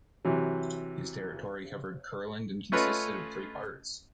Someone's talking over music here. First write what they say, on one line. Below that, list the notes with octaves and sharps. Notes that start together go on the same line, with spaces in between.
His territory covered Kurland and consisted of three parts.
C3 E3 F#3
A3 C#4 F4 B4 C#5 D#5